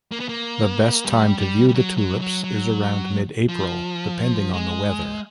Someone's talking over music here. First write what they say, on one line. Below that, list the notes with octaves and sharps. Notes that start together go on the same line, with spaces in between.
The best time to view the tulips is around mid-April, depending on the weather.
A#3
B3
A#3
G3
G3
G3
F#3
F#3
F#3
F#3
F3
G#3